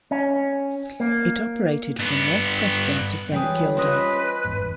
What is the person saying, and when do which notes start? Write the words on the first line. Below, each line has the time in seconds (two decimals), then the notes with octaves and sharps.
It operated from West Preston to Saint Kilda.
0.11 C#4
1.00 A#3
1.99 G2 B3
3.32 E3 G3 G#3 F4 G#4 B4 C#5 G5
3.77 C#4 B4 C5 D#5 G#5
4.44 G1 E2 G#2